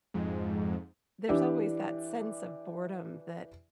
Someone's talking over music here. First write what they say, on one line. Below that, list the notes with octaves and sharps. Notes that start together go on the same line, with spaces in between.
there's always that sense of boredom that,
F2 G#2
E3 D4 G4 D5 E5